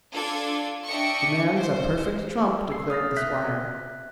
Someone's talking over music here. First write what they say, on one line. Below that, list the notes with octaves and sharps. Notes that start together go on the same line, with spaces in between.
"The man's a perfect trump," declared the squire.
D4 F4 A4 G#6
D4 D#5 E5 G5 C#6 C#7
C5
E6 C7
D#6 F6 A6 A#6
E5 F#6 G6 B6